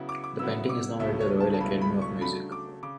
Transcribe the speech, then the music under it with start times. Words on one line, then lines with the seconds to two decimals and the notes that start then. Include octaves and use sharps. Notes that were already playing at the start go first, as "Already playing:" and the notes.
The painting is now at the Royal Academy of Music.
Already playing: C#3 F#3 B3 E4
0.09 D6
0.24 D6
0.39 C#3 F#3 B3 E4 E6
0.69 D6
0.99 C#2 B2 F#3 A3 E4 E5
1.20 C#5
1.40 A5
1.54 A5
1.60 C#2 B2 F#3 A3 E4 B5
1.81 B5
2.02 C#6
2.21 C#3 F#3 A3 D4 B5
2.52 D6
2.83 C#3 D6